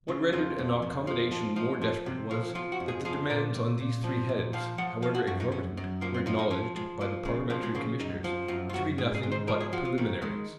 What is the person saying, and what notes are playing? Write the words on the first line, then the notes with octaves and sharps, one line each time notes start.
What rendered an accommodation more desperate was, that the demands on these three heads, however exorbitant, were acknowledged, by the parliamentary commissioners, to be nothing but preliminaries.
C#3 F4
F2 F4
F2
F2
F3
F3
F3 D#4
F3
C3
F3
F3 F4
F#4
F2
G#4
F3 G#4
A#2 A#4
A#2
A#2
F3
A#2
F3 F5
F3 F#5
F3 F5
F#4
F#2 F#4
D#4
F#2 C#4
F#2
F3 A#3
C4
F3 D#4
D#4
F3 C#4
F3 G#3
F3 A#3
C#3 G#3
F3 A#3
G#3
C#3 A#3
F#2 D#4
F3
F#2 F4
F4
F#2 F#4
G#2 G#4
G#4
G#2
C5
F3 A#4
G#4
F3 F#4
F4
D#3 A#3
D#3 G#3